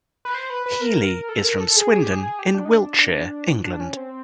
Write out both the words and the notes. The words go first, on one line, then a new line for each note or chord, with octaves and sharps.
Healey is from Swindon in Wiltshire, England.
B4
C5
B4
B4
A#4
A4
A#4
A4
G#4
G#4
G4
G#4
G#4
G4
D4
D#4
D4
D4
C#4
C4